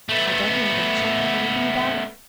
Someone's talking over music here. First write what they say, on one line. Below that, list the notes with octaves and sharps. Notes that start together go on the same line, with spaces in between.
I don't remember the cheque or anything about it.
A3 B3